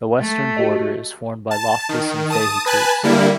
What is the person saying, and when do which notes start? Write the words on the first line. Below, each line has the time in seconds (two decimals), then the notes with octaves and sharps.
The western border is formed by Loftus and Fahy Creeks.
0.20 A3
0.57 F#4 G4 D#5
1.51 A5
1.89 D#3
2.30 A5 D#6
2.66 B4 G#5 A5 F#6
3.03 D3 G3 A#3 E4